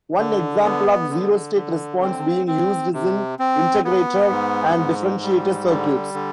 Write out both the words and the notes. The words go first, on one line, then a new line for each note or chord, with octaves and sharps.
One example of zero state response being used is in integrator and differentiator circuits.
D3
B3
D3
D3
C4
C4
C3
C4
B3
G#2
G#2
G3
D3
D3